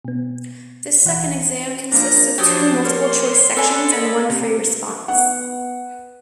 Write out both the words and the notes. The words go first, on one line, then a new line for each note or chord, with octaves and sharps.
This second exam consists of two multiple-choice sections and one free response.
B2 B3
B1 E3 F#5
F3 A#3 D4 A#5
F3 F#3 D4 G4 C5 D5 D#6
A#3 C#5 C6
C4 A4 B4 D5 G#5
D#5 B5
C3
B3 F#5